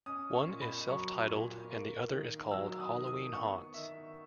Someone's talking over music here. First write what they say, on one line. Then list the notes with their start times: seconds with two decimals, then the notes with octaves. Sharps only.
One is self-titled and the other is called "Halloween Haunts".
0.06 C#4 D#6
0.34 C#6
0.48 A#2
0.61 B5
0.89 F#3 C#6
1.29 A#2
1.71 A#3
2.12 D#3
2.51 F#3 E6
2.79 D#6
2.93 D#3
3.07 D#6
3.33 B3 C#6
3.74 D#3 E5